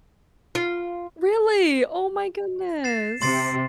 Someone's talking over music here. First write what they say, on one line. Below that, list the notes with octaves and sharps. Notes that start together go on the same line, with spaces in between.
Really? Oh my goodness!
F4
A6 C7 E7
C3 C6 A6 C7